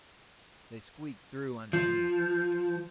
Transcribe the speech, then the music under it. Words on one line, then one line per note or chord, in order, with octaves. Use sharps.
They squeaked through underneath.
F3